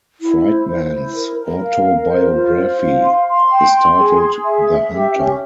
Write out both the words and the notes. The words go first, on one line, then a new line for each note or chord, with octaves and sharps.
Friedman's autobiography is titled "The Hunter".
E4
C5
C5
E4
A#4
A#4
F5
A#4
C5
F4
C5
F5
C6
C6
G5
C6
G#4
G#4
E5
E5
G4
C#4